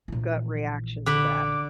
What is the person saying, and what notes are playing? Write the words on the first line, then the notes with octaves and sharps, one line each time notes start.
gut reaction to that?
A#1 E3
D3 B5 D6